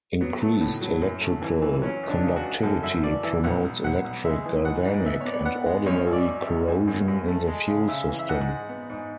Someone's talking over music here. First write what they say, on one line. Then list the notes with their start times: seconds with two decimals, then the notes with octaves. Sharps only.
Increased electrical conductivity promotes electric, galvanic, and ordinary corrosion in the fuel system.
0.21 F#3 B3
0.41 A3
0.61 A2
0.81 F#3
1.02 F#2
1.21 A3
1.42 E3
1.62 E3
1.82 F#3 C#4
2.03 C#2
2.09 D4
2.23 C#3
2.36 F#4
2.43 C#2
2.63 F#2 A4
2.83 F#2 E5
3.03 E3 D5
3.24 E3 E5
3.44 B1 F#5
3.64 B1
3.84 B1 F#5
4.04 B1
4.25 G#3 E5
4.46 E3
4.65 G#2 F#5
4.85 G#2
5.05 B3 E5
5.21 C#5
5.25 B3 D5
5.45 B3 F#5
5.66 G#3
5.86 F#2 C#5
6.07 G#1
6.13 D5
6.27 G#1
6.40 E5
6.47 G#1
6.68 F#2
6.88 F#2
7.08 F#2
7.28 A3
7.48 G#3
7.68 C#3
7.88 C#3 E5
8.09 E3
8.19 E5
8.29 G#2 F#5
8.48 G#3
8.69 B3
8.90 G#2